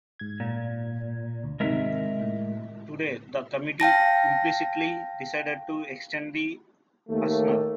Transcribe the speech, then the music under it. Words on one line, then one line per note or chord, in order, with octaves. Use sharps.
Today the committee implicitly decided to extend the arsenal.
G#2 G#6
A#2
D2
G#2 C3 D#3 G#3 A#4 E5
A2
F5 G5 A5 A#6
D#2 A3 A#3